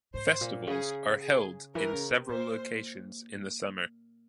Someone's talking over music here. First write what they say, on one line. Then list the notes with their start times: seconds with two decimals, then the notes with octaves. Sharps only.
Festivals are held in several locations in the summer.
0.14 G#2 C5
0.41 A#2
0.67 C#3 G#4
1.21 G#4
1.75 E3 A#4
1.93 C#3
2.10 C3
2.28 A#2 C5